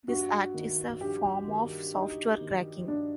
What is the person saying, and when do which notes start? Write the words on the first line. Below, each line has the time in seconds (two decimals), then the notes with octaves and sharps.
This act is a form of software cracking.
0.08 G2 F#4
0.54 D#3
1.01 G2 G4
1.48 D#3
1.94 G2 D#4
2.41 D#3
2.88 G2 D4